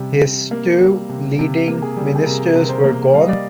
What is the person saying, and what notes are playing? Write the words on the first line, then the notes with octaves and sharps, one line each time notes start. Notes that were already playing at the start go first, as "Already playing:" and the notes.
His two leading ministers were gone.
Already playing: C3 G3
C3
A#3
G3
C3
C3
A#3
G#4
G3
G#4
C3 A#4
C3
A#4
C5
A#3
G3 F5
D#5
D5